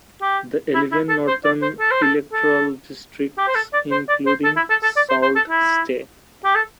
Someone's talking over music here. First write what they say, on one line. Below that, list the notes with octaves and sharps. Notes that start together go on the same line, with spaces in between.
The eleven northern electoral districts, including Sault Ste.
G4
E4
E4
A4
C5
D5
C5
A4
C5
A4
A4
G4
C5
A4
D5
C5
D5
C5
A4
E4
A4
A4
D5
C5
C5
A4
E4
G4
A4